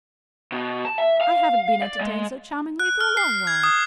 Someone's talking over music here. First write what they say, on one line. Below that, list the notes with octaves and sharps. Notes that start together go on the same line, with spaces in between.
I haven't been entertained so charmingly for a long while.
B2
A5
E5
F5
D5
G#3
F#6
F6
C7
G#6
D#6